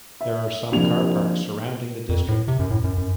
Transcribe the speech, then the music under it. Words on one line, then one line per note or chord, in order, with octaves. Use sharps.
There are some car parks surrounding the district.
E5
C2 F3 A#3 D4 F7
F2
A2
C3
F#2
A2
F#2
F#2